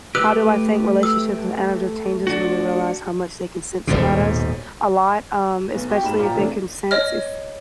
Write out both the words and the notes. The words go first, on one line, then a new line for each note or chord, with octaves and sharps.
How do I think relationships with animals changes when we realize how much they can sense about us? A lot, um, especially if they can sense if,
A3 G4 B4 E6 F#6
E6
D4 F#4
D#1 A#1 G#2 B2
B1 B3
F#4 G4 G5
G#2 A#3 B5 E7
A#2 F4 G4 A#5
C3 E3 A3 A#3 D4
C#5 D#5 F6